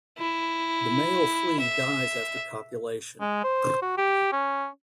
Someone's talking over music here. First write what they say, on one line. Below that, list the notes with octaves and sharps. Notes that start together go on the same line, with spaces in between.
The male flea dies after copulation.
E4
E5
G#3
C5
F#4
G4
C#4